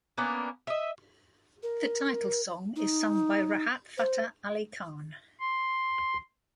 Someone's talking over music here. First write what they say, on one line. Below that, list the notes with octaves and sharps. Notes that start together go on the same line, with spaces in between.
The title song is sung by Rahat Fateh Ali Khan.
A#3 B3 C#4 D4
D#5 E5
A#4
D#4
C5
C6